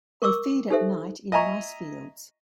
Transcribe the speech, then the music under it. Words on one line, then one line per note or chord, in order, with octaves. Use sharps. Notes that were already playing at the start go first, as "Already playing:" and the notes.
They feed at night in rice fields.
A#4 C#6 D6 E6
D#4 G4 A4 C5 E5
D#5 E5 G#5 A#5 C#6